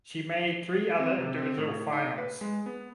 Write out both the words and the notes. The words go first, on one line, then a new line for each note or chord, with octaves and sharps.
She made three other individual finals.
C4
C3
C4
A2
D#4
B4
G#3
B3